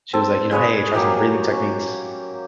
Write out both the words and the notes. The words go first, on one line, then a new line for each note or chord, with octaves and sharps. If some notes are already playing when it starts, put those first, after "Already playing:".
she was, like, you know, "Hey, try some breathing techniques"
C4 A4
G#3 G#4 B4 C#5
F#3 A#3 G4 B5
C#4